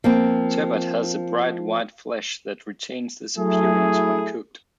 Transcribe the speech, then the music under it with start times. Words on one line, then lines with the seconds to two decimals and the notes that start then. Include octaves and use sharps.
Turbot has a bright white flesh that retains this appearance when cooked.
0.04 F3 A#3 C4
3.38 F#3 A3 E4 G#4